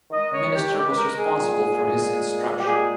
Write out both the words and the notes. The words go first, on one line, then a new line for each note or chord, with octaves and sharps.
Minister was responsible for his instruction.
D#3 G#3 D#5
C#5
G4
D#3 G#3 G4
B4
A#4
G#4
A#2 G#3
A#2 G#3
G4
A#2 G#3 G#4